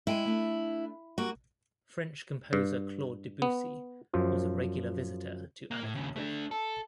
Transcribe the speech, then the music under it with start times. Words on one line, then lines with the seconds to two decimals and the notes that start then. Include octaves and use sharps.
French composer Claude Debussy was a regular visitor to Anacapri.
0.07 G#3 E4 G5 G#5
0.25 A3 D4
1.18 G3 A#3 F#4
2.53 G2
3.42 B3
4.13 F#2 F3 C5
5.71 A#3
5.83 A2
5.95 D#2 C#3
6.16 A3 D4
6.51 A4